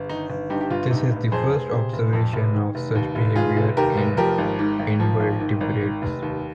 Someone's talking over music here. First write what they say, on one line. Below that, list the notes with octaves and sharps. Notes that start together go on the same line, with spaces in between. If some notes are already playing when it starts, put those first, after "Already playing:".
This is the first observation of such behaviour in invertebrates.
Already playing: G1
D#3 D#4
G1
G2 D#4 G4
G4
G1 F4
C3 D#4
F1
F2 G#4 C5
F1
C3
F1
F2
F1
D#3
F1
D#2
F1
D#3 F4 G#4
F1
D#2 G4 A#4
F1
F3 G4 A#4
G#1
G#2
G#1
F3
G#1
G#2
G#1
D#3
F1
D#2